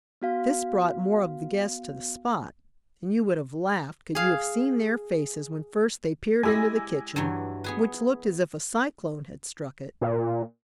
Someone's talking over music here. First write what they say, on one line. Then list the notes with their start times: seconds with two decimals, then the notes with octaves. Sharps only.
This brought more of the guests to the spot, and you would have laughed could you have seen their faces when first they peered into the kitchen, which looked as if a cyclone had struck it.
0.22 B3 F#4 F5
4.15 G#4 F5
6.43 G#3 E4 G4 G#5 E6 A#6
7.16 G2 E3 F#3
7.64 B3 G#4 B4
10.01 A#2